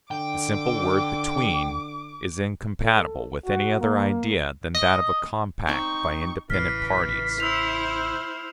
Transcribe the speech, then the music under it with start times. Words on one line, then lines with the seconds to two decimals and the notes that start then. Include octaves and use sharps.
The simple word "between" is incompatible with any other idea than that of a compact by independent parties.
0.11 D3 G5 D6
2.82 A4
3.46 F#4
3.80 A#3
4.75 D#5
5.67 C4 D#4 C#6
6.50 A1 C#3 E3 F6 B6 C7
7.40 E4 C5 E6 F7